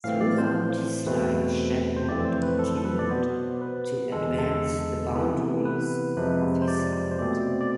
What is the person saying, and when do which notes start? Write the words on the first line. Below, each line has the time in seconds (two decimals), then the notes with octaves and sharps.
Throughout his life, Shadbolt continued to advance the boundaries of his art.
0.04 A2 E3 A3 C4 F5
0.21 D5
0.38 C5
1.06 E2 B2 A3 C4 B4
1.97 C5
2.08 F2 E3 A3 C4 D5
2.25 C5
2.43 B4
2.59 A4
2.77 A4
2.85 B4
2.99 D5
3.10 B2 B3 C5
3.62 B4
4.12 E2 D3 G#3 A4
4.38 A4
5.15 C3 E3 B3
5.65 B4
6.17 F2 C3 F3 G#3 B4
6.62 C5
6.68 D5
7.11 C5
7.19 B2 A3 C4 D5
7.61 D5